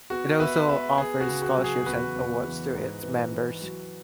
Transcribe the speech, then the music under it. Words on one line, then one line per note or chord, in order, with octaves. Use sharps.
It also offers scholarships and awards to its members.
B3 F#4
B3 B4 E5
B3 B4 E5
B3 G#4
F#4
C#3
F#4
F#3
G#4
E2 F#4 B4
E2
E3
G#2
E3
E3
F#3